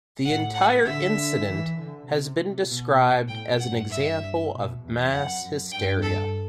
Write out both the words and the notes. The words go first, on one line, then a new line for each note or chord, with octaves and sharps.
The entire incident has been described as an example of mass hysteria.
A2 F#5
F#5
D3 E5
E3
D3
C3
B2
A2 G5
G2 F#5
E5
B2
E2
F#2 F#5
F#2
G2 G5
A4